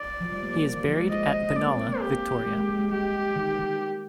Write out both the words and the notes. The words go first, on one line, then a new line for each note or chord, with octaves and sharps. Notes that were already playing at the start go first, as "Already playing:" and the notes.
He is buried at Benalla, Victoria.
Already playing: D5
F3
G3
A#3
A#3
G3
D#3
F3
G#3
G#3 D#5
A#3 D5
C4
A#3
A#3
G4
A#3
G#3
G#3
G#3
G#3
G3 G4
D#3
D#3